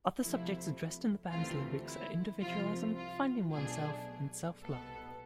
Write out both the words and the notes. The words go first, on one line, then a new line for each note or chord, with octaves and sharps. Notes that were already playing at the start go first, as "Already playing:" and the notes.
Other subjects addressed in the band's lyrics are individualism, finding oneself and self-love.
C2 C3 F3 A3 E4
D2 C3 E3 A3 C4 F4
E4
C2 C3 F3 F4
F4
B1 B2 A3 D4 G#4
C2 B2 B3 A4